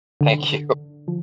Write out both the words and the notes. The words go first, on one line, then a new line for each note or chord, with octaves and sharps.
Thank you.
D3
F3